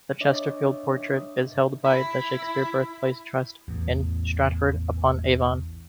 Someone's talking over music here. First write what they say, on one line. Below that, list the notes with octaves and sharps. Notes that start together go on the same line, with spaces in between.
The Chesterfield portrait is held by the Shakespeare Birthplace Trust in Stratford-upon-Avon.
D4 C#5 D#5 E5 D6
E4
A1 E2